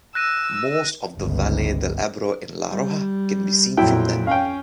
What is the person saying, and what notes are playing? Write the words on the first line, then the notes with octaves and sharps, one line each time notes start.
Most of the valle del Ebro in La Rioja can be seen from them.
E6 F#6 A#6 D#7
G1 C#2
G3
F2 A#2 F#3 E4 G5
C#4 F5 G5